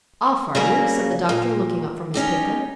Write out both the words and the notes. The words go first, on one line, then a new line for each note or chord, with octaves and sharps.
"Off, are you?" said the doctor, looking up from his paper.
C#3 F#3 G3 A#3 C#4
A#2
C#4 D#4 G4